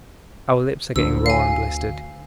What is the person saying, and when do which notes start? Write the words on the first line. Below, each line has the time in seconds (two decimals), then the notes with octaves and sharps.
Our lips are getting raw and blistered.
0.96 D2 E6
1.26 F5 G#5